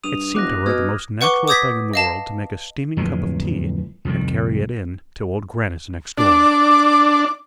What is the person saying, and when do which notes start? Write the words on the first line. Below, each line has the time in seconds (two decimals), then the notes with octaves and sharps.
It seemed to her the most natural thing in the world to make a steaming cup of tea and carry it in to Old Grannis next door.
0.04 G2 D#6 D#7 F7
0.34 E1 D6 F#6 A#6
0.66 B2 D#6 F6 G#6
1.21 B4 F#5 C#6 D6 G7
1.48 D6 D#6 G6 G#6 A#6 B6
1.94 D#5 F5 A5
2.97 D1 F2 E3 G#3
4.05 C2 F2 D#3 G3
6.18 D4 D6